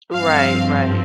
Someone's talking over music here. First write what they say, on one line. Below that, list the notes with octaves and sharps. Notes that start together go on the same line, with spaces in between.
Right, right.
G2 F3 C4 F5